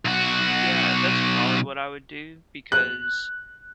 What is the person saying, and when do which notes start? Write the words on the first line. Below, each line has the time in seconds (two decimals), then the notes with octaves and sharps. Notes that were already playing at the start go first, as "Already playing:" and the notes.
Yeah, that's probably what I would do because,
0.05 B1 F#4
2.72 F#6